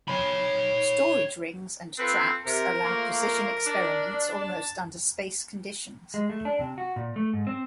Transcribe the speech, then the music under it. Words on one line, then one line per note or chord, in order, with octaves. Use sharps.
Storage rings and traps allow precision experiments almost under space conditions.
C#5 B5
C4 F4 A4 B4
C3 A#4
F3 A3 A#3
A#4
D4
A5
G#3
A3
D4
C3
F#4
A#2
A3
G#2
C4